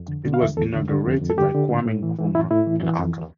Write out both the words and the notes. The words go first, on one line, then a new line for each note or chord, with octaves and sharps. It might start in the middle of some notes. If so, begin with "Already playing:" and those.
It was inaugurated by Kwame Nkrumah in Accra.
Already playing: F2
D3
D3
F5
E2 E5
E2 A4
D3
D3
F2
F2
A4
D3 G4
D3
A2
A2
E3
E3
A2 E4
A2 E4
E3
E3
F2